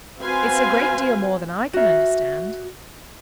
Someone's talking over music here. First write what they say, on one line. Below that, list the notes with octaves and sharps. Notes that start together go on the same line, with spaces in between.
"It's a great deal more than I can understand."
C4 F#4 B4 C5 F5 G#5
F#4 E5